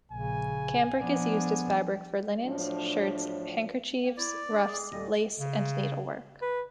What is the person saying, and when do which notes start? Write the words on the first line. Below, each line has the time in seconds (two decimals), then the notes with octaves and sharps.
Cambric is used as fabric for linens, shirts, handkerchieves, ruffs, lace and needlework.
0.12 A#1 C#3 G#5
1.00 F3 B3 D4
2.44 A2 F3 F#3 D4
4.03 A#3 G5
4.17 E4 D5 D6
4.49 D4
4.66 G#4
4.92 D#1 G3 A3 D#5
5.39 C#3
6.41 B4